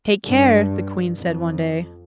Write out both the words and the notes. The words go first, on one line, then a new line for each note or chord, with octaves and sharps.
"Take care," the Queen said one day.
G2
F2